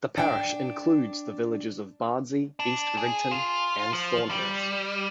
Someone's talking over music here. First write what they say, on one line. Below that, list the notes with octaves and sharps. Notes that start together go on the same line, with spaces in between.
The parish includes the villages of Bardsey, East Rigton and Thornhurst.
D4 G5
D4
G#4
F4
F3
G3